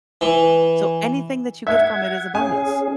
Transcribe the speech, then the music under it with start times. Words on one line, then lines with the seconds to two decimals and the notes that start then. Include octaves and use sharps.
so anything that you get from it is a bonus.
0.21 E3
1.67 E5 F#5 G#6
2.35 C#4 G#4 G#5